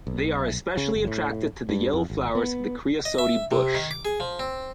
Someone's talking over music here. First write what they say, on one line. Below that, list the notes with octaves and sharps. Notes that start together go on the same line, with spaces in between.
They are especially attracted to the yellow flowers of the creosote bush.
B1
C#3
G1
A2
G2
F2
G#1
B3
D#5
E5
C3
D#3
D6
G#4
F3
C4